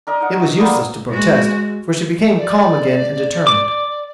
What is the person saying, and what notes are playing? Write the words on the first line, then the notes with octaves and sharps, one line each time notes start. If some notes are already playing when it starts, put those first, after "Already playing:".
It was useless to protest, for she became calm again and determined.
D4 A#4 D#5
D#4 F#5
F#3
A#3 B3 D4 D#6
G#3 F#4
D5
D6